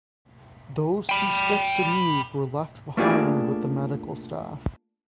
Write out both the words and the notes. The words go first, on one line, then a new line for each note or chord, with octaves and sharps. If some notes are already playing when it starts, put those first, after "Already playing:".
Those too sick to move were left behind with the medical staff.
G5 B5
A3 A#3 D4 F4 G4 G#4